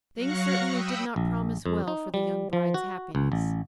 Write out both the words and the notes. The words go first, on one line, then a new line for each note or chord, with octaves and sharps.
Things certainly did not promise well for the young bride's happiness.
F#3 F5 C#6 F#6 A#6 C#7
G5 B5 D#6 E6
A#1
F2
D#4
G3
F3
F#4
C#2
A1